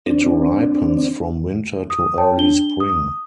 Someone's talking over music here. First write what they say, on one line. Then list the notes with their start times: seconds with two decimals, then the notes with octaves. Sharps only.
It ripens from winter to early spring.
0.06 C4 D4
1.90 D#6
2.18 C#5 G5 A5
2.38 D4 G7
2.80 D#6